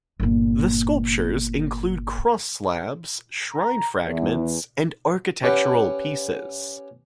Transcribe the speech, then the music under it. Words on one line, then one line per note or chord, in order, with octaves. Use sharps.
The sculptures include cross-slabs, shrine fragments and architectural pieces.
G1 A#2
A#5
E2
C#4 G4 B4 F#5 G5